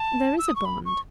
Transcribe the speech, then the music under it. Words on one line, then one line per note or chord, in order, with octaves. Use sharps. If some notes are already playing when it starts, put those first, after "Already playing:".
"There is a bond."
Already playing: A5
E6
D#6
C#6
B5
C#6